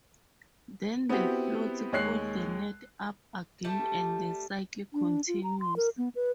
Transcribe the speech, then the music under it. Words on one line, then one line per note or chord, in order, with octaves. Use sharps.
Then the floats pull the net up again and the cycle continues.
B3 C4 E4 F#4 G4
D#2 G#3 C#5 F#6 C7
G3 A3 G4 A5
D4
F4
A#5
C6
A#4
B3
B4